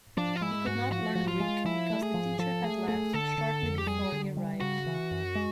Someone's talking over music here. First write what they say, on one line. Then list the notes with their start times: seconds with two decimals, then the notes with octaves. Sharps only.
He could not learn Greek, because the teacher had left, shortly before he arrived.
0.17 F3 D4
0.36 F4
0.41 G#3 E4
0.66 G#2 F#4
0.92 F3 F#4
1.15 F3
1.28 F4
1.40 G#3
1.65 F3 E4
1.90 A3
2.03 G#4
2.14 F3
2.39 F3 A4
2.64 A3 G#4
2.88 A3 G#4
3.13 D3 A4
3.38 D3
3.63 F2
3.78 G4
3.87 G3 G#4
4.12 D3
4.37 G3
4.61 C#3 F#4
4.86 E3
5.11 F#2
5.35 G#3